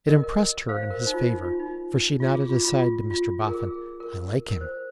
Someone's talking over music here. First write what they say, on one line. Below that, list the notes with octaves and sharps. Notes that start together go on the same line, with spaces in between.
It impressed her in his favour, for she nodded aside to Mr Boffin, 'I like him.'
A#4 D#5
A#4
A#4 D#5
C5 F5
A#4
C5
D#4
F4
D#4
F4
D#4
F4
G#4
F4
F4
F4
F4
G#4
A#4
G#4
A#4
A#4
C5